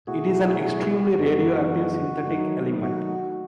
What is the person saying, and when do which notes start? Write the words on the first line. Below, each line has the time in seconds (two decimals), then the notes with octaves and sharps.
It is an extremely radioactive synthetic element.
0.07 B2 A3 E4 F#4 G#4
0.63 F#4
1.18 F#2 E3 G#3 B3 D#4
2.27 D#3 F#3 A3 D#4
2.83 F#4